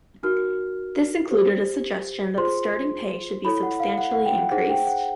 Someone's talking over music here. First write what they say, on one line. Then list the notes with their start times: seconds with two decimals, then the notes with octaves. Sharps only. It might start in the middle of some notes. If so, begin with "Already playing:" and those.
This included a suggestion that the starting pay should be substantially increased.
0.23 D#4 F#4 A#4 F6
1.31 G4 C5
2.37 F4 G#4 C5 C6
3.44 E4 A4 C#5 B5
3.63 F#5
3.80 F5
3.98 F#5
4.11 F#5
4.25 G5
4.38 F#5
4.51 D#4 G#4 C5 F#5
4.70 G5
4.87 F#5